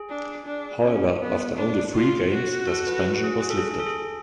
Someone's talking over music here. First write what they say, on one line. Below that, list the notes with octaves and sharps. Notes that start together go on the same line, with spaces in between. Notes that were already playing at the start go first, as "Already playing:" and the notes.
However, after only three games, their suspension was lifted.
Already playing: G#4
D4
D4
C#4
B3
D4
F4
F#4
A4
B4
G#4
G#4
A4
G#4
A4
G#4
A4
G#4